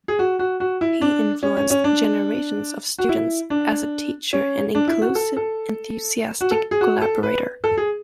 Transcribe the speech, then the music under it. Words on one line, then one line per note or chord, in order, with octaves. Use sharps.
He influenced generations of students as a teacher and inclusive, enthusiastic collaborator.
G#4
F#4
F#4
F#4
E4
D4
C#4
C#4
C#4
D4
F#4
E4
D4
C#4
D4
E4
F#4
A4
A4
F#4
A4
G#4
F#4
A4
B4
A4
G#4